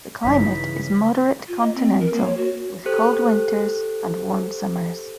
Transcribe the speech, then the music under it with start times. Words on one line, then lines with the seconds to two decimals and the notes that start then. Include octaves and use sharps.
The climate is moderate continental with cold winters and warm summers.
0.24 A1 G2 C#3 E3 C#4 D#4 B6
1.48 F4
1.61 D#5
1.75 C4
2.00 A#4
2.13 A#3
2.25 C#5
2.37 F#4
2.86 G4 A4 C5 F#6